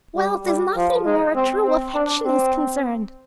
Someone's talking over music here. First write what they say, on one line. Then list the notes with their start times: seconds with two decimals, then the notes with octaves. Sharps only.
Wealth is nothing where a true affection is concerned.
0.16 G3
0.46 G3
0.76 F3
1.05 G#3
1.35 C4
1.65 C4
1.95 D4
2.25 C4